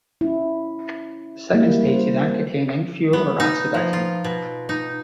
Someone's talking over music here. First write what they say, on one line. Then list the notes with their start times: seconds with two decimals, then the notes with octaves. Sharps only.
The second stage did not contain any fuel or oxidizer.
0.21 C#4 E4
1.54 G3 A#3 E4
1.83 C#4 A#4 C5
3.13 B3
3.40 D#4
3.74 F3
3.93 F4
4.24 B2
4.69 D#4